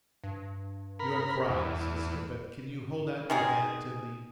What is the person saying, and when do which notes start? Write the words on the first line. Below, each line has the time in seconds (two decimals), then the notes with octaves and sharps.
"You are crying, sister, but can you hold out your hand to me?"
0.24 G2
0.99 A#4 B5
1.49 E2
3.30 D#3 G#3 G#4